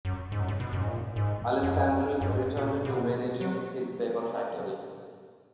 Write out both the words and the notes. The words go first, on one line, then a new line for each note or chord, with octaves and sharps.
Alessandri returned to managing his paper factory.
F#2
G#2
F#2
G#2
B2
F#2
G#2
A#2
G#2
F2
F#2
F#2
G#2
A#2
B2
F#3